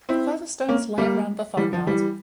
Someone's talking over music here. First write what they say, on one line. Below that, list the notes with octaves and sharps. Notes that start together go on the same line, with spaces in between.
Further stones lie around the farmyard.
C4 E4
A#3 C#4
G3 A#3
E3 G3
F3
E3 G3